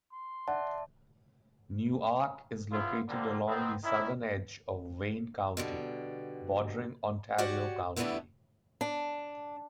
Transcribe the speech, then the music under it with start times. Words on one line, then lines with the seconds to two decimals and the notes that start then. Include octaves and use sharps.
Newark is located along the southern edge of Wayne County, bordering Ontario County.
0.12 C6
0.48 D5 E5 F#5 A5
2.71 C#3 B3 E4 F4
3.08 D3 F3 G3 A#3 C4
3.47 D#3 B3 C4
3.83 D#3 C#4 E4
5.57 B2 D3 G3
7.38 F#4 G4 C#5 D5 F#5
7.96 D3 E3 G3 A3 B3 E4
8.81 D4